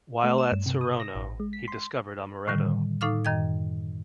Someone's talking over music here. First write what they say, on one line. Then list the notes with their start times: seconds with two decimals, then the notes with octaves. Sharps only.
While at Saronno, he discovered amaretto.
0.24 A3
0.38 E7
0.52 G2
0.66 C3
0.81 D#6
1.00 A#6
1.15 A1
1.40 G#3
1.53 B6
1.68 C6
2.48 A2 D3 D#3 G3
3.01 A2 D#4 A4 F5 D6 F6
3.25 F#2 D#3 D#5 G5 G#6